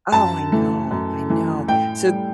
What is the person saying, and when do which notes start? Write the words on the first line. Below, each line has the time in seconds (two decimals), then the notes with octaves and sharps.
Oh, I know, I know, so
0.12 F#2 A5
0.52 E3 A3
0.91 F#2
1.30 E3 A3
1.68 A2 G5
2.07 G3